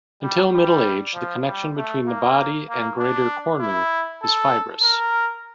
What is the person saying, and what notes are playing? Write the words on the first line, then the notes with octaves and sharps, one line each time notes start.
Until middle age the connection between the body and greater cornu is fibrous.
G3
G3
F3
G3
A3
A#3
A#3
D4
E4
A4
A#4